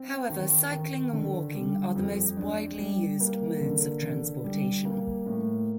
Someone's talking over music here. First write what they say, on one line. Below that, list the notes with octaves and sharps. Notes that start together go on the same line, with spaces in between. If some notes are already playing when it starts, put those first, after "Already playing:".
However, cycling and walking are the most widely used modes of transportation.
Already playing: C4
D#3
D#3
D3
G3
F2
D4
G3
A#3
D3
D3
G3
A#3
A2